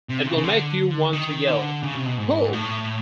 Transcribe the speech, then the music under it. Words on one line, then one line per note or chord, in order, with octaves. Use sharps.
It'll make you want to yell 'Woooh!
C3
C#3
C#3
D3
D#3
D3
C#3
C3
B2
G#2
A2